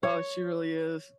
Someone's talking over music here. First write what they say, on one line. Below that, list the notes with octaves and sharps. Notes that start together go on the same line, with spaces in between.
Oh, she really is.
C#5